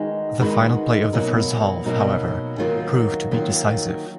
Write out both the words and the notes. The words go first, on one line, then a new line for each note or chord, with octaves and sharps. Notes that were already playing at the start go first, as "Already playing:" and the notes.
The final play of the first half, however, proved to be decisive.
Already playing: D#3 G#3 D#4 F#4 B4
D#3 G#3 D#4 F#4 B4
B2 F#3 A#3 D#4
B2 F#3 A#3 D#4
D#3 F#3 A#3 F4
D#3 F#3 A#3 F4